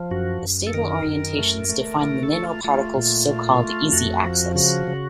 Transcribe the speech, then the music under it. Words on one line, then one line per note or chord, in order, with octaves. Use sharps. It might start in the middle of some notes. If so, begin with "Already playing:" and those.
The stable orientations define the nanoparticle's so called "easy axis".
Already playing: F3
F#2 F#4
F#2
A4
D#3 A#4
F#2
A3
A3
A3 A#4
A4
A3
F4
A3 F4
A#2
A3
A3
F2 F#4
F3
C#3 F#4
C#3